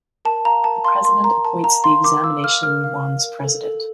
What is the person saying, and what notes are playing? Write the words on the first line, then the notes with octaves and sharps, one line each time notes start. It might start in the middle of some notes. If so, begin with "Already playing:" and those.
The President appoints the Examination Yuan's President.
A#4 A5
F5 A#5
A#4 A5
F5 C6
A#4 C6
A#4 A#5
A#4 A5
F5 A#5
F5 C6
A#4 D6
F5 E6
F5 F6
A#4 F6
F5
F5
A#4
A4
A4